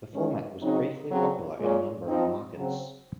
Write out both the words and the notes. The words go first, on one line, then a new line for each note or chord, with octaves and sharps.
The format was briefly popular in a number of markets.
D#3 G#3 C#4
C#3 F#3 C4 D#4
C#3 F#3 C4
A#2 G#3 C#4
F3 C4 D#4
C#3 F#3 C4